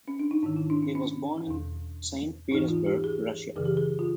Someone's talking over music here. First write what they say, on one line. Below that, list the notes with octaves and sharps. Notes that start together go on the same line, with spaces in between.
He was born in Saint Petersburg, Russia.
C#4
D4
D#4
G#2 D#3 E4
E4
D4
C#4
C#4
E2 B2
G#2 E3 D#4
F4
G4
G#4
F#2 C#3 E3 G#4
G4
G#4
F4